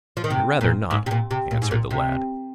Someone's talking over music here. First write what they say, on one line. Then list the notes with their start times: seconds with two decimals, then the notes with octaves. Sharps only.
"I had rather not," answered the lad.
0.17 F3
0.24 D#3
0.31 C3
0.61 A#2
0.91 G#2
1.06 C3
1.11 A#2
1.31 C3
1.51 A#2
1.62 G#2
1.71 A#2
1.91 C3